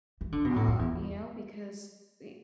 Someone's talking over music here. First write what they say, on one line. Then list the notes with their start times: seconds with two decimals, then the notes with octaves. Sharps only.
uh, you know, because eh
0.21 E3
0.32 D3
0.45 B2
0.56 A2
0.68 F#2
0.79 E2